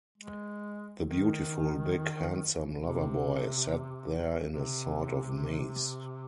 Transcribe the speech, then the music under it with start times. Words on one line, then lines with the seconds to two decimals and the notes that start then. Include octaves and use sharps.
The beautiful, big, handsome lover-boy sat there in a sort of maze.
0.18 G#3
1.04 D#3
2.77 C3
4.50 C3